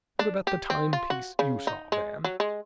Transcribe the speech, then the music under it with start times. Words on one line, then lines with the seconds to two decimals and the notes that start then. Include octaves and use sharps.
"What about the time-piece you saw, Van?"
0.19 D4
0.47 G4
0.70 C4
0.93 F4
1.10 F#4
1.39 C#3
1.67 D#4
1.92 G#3
2.24 F#3
2.40 G#3